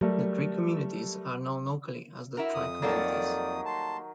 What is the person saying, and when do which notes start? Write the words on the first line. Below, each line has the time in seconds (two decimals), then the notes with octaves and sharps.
The three communities are known locally as the 'tri-communities'.
0.01 F#3 G3 A3 A#4
2.37 E4 F#4 A#4
2.54 F2 D#6
2.82 D#3 F#3 G3 A#3 A4 D5
3.66 A5 C6